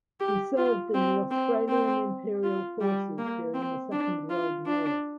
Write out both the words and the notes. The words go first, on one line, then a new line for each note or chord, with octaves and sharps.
He served in the Australian Imperial Forces during the Second World War.
G4
F4
C4
C4
C4
F4
G3
A#3
C4
D4
F4
D4